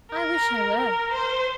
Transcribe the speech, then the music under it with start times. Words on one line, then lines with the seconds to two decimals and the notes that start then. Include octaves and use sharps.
I wish I were.
0.11 A#4
0.79 A#4
1.12 C5